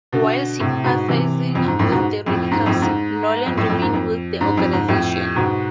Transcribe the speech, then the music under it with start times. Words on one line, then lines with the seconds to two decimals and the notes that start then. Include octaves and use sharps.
While sympathizing with the radicals, Nolan remained with the organization.
0.13 B2 D3
0.60 A2 C3
0.84 G#2 B2
1.08 C3 E3
1.55 F2
1.68 G#2
1.79 F2 A2
1.91 G#2 B2
2.26 F2 A2
2.51 G#2
2.66 F2 A2
2.82 G#2
3.46 F2
3.57 F2 A2
3.70 F2
3.82 G#2
3.94 F2
4.41 G#2
4.57 F2
4.73 G#2
4.88 F2 A2
5.36 G#2 B2